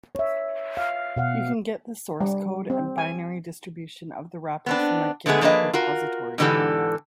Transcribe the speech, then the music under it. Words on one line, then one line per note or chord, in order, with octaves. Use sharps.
You can get the source code and binary distribution of the wrapper from my github repository.
C#5 E5
F5
B2 F5 F#5
G3
C4
G#5
B3 C4 D4
D3 G#3 A3 B3 G#4
F3 A#3 D4 G#4 B4 D#5
F4 F#4 A#4
G#2 B2 D3 E3 G4 A4